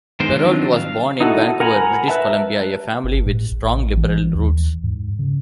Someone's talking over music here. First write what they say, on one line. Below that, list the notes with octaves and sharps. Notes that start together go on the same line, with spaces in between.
Perrault was born in Vancouver, British Columbia a family with strong Liberal roots.
D#3 G#3 B3 A#4 C5
D#3 F3 F#3 C4 D4
F5
D#4 E4 F#4 A4
A#4 F#5 G#5 A#5 B5
B4 E5 A5
G1
A2
A1
E3
D#2
G#2
C#3